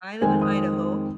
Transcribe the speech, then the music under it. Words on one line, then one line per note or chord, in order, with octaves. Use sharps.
I live in Idaho,
F2 D#3 G#3 C4 G#5
D#6